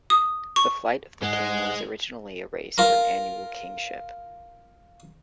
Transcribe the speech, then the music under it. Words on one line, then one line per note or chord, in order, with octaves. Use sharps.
The Flight of the King was originally a race for an annual kingship.
D#6
C#6
G#2 G#3 D#5 F#5
F4 A#4